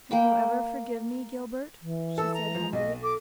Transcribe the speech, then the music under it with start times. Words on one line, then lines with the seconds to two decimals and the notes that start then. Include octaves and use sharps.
"Can you ever forgive me, Gilbert?" she said humbly.
0.11 A#3 G5 B5
1.82 E3
2.18 A4 E6
2.33 A#5
2.55 F3
2.73 B1 D#5
3.02 A4 D6